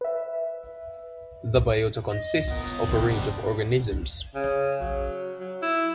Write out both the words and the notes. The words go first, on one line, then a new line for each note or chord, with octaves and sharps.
The biota consists of a range of organisms.
B4 E5
D#5
B3 F4 A#4
F4 C#5
C3 D#3 C4
G2 G3 D4
C#3
F#3
F#3
E4